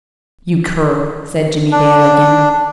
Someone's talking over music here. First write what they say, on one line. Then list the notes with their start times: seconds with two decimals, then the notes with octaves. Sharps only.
"You cur!" said Jimmie Dale again.
1.72 D4